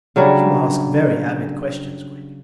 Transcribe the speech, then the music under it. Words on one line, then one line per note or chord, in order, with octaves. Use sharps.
"You ask very avid questions, Gregg!"
C#3 F#3 G3 D4